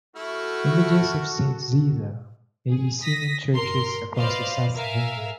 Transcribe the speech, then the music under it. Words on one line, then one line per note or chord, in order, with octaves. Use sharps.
Images of Saint Zita may be seen in churches across the south of England.
A3 E4 F#4 A4 F6
G#4
D#6 A#6 B6
G1 A#4 C6
B4 C5 D5 D#5 F5 C6
A#4 E5 F5 G#5